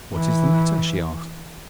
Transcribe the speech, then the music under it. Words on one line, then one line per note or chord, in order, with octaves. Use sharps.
'What is the matter?' she asked.
E3